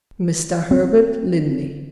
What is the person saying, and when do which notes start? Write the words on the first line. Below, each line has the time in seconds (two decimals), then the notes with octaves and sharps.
Mr. Herbert Linley.
0.71 C4